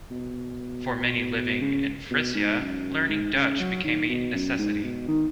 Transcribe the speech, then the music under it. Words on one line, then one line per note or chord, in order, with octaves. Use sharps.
For many living in Frisia, learning Dutch became a necessity.
B2
C#3
B2
G#2
F#2
G#2
C#3
F#3
D#3
B2
F#2
G#2
B2
D#3